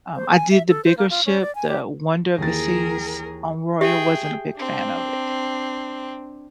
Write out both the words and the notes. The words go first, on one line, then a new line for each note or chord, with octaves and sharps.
Um, I did the bigger ship, the Wonder of the Seas on Royal wasn't a big fan of it.
C5
G#5
E5
A4
C5
A#3
F4
C#4
D5
G#5
G4
D#2 E3 G#4 A#4 A6
G4 G#4 E5 G5
C4 D4